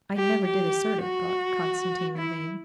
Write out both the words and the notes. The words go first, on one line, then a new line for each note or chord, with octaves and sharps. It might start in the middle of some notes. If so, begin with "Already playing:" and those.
"I never did assert it," thought Konstantin Levin.
G4
G4
F#4
E4